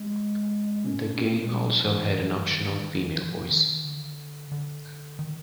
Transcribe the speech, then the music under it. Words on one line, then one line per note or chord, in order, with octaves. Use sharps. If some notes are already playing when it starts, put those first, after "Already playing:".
The game also had an optional female voice.
Already playing: G#3
C#4
D4
C#4
C4
A#3
G#3
G3
E3
D#3
F3
E3
F3
E3
D#3
D3
D3
D#3